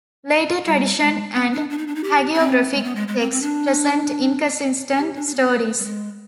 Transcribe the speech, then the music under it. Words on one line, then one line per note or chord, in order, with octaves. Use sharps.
Later tradition and hagiographic texts present inconsistent stories.
G3
G#3
C4
D4
D4
D#4
D4
D#4
G4
D4
C4
G#3
B3
G#3
G#3
C4
C4
D4
G4
D4
D4
B3
C4
G3
G#3